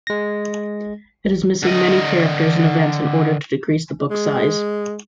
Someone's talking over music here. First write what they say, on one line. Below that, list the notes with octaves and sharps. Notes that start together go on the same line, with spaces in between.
It is missing many characters and events in order to decrease the book's size.
G#3 A#6
D3 D#5
G#3